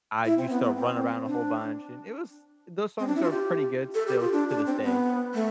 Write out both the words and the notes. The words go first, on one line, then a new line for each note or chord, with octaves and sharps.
I used to run around a whole bunch, and it was those songs are pretty good still to this day,
E4
C4
B3
B3
C4
D4
C4
D4
E4
F4
G4
A4
G4
F4
D4
D4
C4
B3
A3